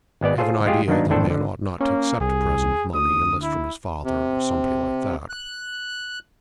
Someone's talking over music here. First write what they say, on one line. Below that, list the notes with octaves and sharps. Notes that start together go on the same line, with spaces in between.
I have an idea that a man ought not to accept a present of money, unless from his father, or somebody like that.
G#1 G#3 B3 D5
F4 G#4 A4 C5
G#3 F4 G4 G#4
D#3 F#3 A#3 B3 D4 D#4
G#1 E2 A2 D4 A4 C5
D3
A#3 C#4
C2 G#4
D2 D#6
E4
C3
F#6